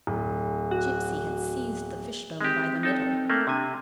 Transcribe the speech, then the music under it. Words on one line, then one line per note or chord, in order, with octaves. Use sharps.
Gipsy had seized the fishbone by the middle.
D1
F#4
G#3 C4 G4
D#4 A4
A3 A#3
C3 D4 G#5